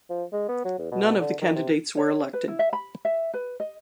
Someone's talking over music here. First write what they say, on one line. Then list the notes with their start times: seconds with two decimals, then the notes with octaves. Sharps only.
None of the candidates were elected.
0.10 F3
0.32 G#3
0.49 B3
0.65 F#3
0.79 E2
0.91 B2
1.20 D3
1.41 D#3
1.56 C3
1.97 C#5
2.33 B4
2.48 E4
2.59 E5
2.73 B5
3.05 E5
3.34 B4
3.60 D#5